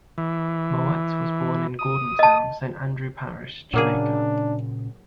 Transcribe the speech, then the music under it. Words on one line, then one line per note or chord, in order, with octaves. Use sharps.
Mowatt was born in Gordon Town, Saint Andrew Parish, Jamaica.
E3
D#6
D#5 A5
A#2 C#3 F#3 A#3 D4 G#4